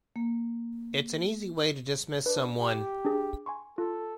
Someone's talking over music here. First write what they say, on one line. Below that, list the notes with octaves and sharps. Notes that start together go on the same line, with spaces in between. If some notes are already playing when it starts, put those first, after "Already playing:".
It's an easy way to dismiss someone.
A#3
D4 B4
G4
D4 G#4
G#5 C6 C#6
F4 A4